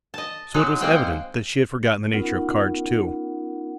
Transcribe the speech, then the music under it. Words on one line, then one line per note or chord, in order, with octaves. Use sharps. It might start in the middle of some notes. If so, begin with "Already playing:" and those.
So it was evident that she had forgotten the nature of cards too.
D#5 A5
F#3 G#3 D#4 F#4
G#3 A#3 C4 C5 F#5 G5
B3 C#4 D#4 F4 A#4 F#5